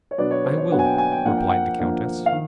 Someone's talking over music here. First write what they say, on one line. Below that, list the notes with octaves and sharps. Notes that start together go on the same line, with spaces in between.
"I will," replied the countess.
C#5
B2 F#3 B3 D4 D5
C#5
C5
C#5
B2 F#3 B3 D4 F#5
G#5
G5
G#5
G5
F3 A#3 D4 F#5
G5
F#5
F3 A#3 D4
F5
D#3